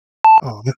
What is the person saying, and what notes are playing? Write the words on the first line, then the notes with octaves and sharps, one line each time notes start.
Oh, th
A5